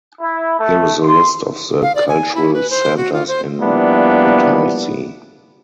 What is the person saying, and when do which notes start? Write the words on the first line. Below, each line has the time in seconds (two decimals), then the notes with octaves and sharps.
Here is a list of the cultural centers in Kutaisi.
0.21 E4
0.59 A3
1.02 C6
1.83 F5
1.95 D5
2.09 G#5
2.35 E4
2.54 B4
2.70 C5
2.97 F#4
3.13 F4
3.28 C5
3.59 F3 G3 A#3 B3 D4 E4